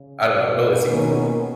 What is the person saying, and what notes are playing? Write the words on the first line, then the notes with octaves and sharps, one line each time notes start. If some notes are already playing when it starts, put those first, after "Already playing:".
I don't know, it always seemed cool.
Already playing: C#3
B2
B2 D#3 A#3 C#4